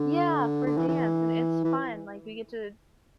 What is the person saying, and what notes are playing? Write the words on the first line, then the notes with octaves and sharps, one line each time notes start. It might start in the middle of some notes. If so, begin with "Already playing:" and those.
Yeah, for dance, and it's fun, like, we get to
Already playing: D3
D3
E3
E3
E3